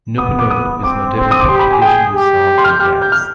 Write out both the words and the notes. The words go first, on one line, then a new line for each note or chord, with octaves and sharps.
Nukunonu is notable for traditional song and dance.
B3 D#6
D6
D#6
C4 D6
C4
D#6
D6
G4 C6
B5
G#5
G#4 G5
G4
C6
F6
G6
G4 F6
G6
F6